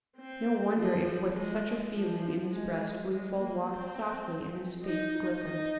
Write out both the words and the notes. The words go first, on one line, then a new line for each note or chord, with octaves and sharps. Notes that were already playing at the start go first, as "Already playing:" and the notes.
No wonder if with such a feeling in his breast Wingfold walked softly, and his face glistened!
C4
F3
G#3
F3
G#3
G#3
A#3
C4
D#4
D#4